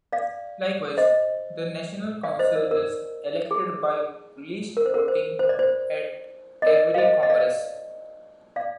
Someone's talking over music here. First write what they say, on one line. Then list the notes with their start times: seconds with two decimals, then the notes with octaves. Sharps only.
Likewise, the national council is elected by list voting at every congress.
0.13 D5 F5
0.97 C5 D#5
2.23 D5 F5
2.39 C5 D#5
2.55 A#4 D5
2.71 A#4
3.51 G#4
4.77 A#4
4.86 C5
4.94 A#4
5.08 C5
5.39 C5
5.49 D5
5.59 C5
6.62 D#5
6.66 A#4 D5
6.94 F5
6.98 C5 D#5
7.23 D#5
7.30 D5 F5
8.56 D5 F5